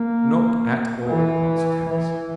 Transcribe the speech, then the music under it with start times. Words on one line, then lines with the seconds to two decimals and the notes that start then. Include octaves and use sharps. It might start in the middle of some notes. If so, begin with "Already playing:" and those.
'Not at all!' answered Hans.
Already playing: A#3
1.07 E3
1.89 E3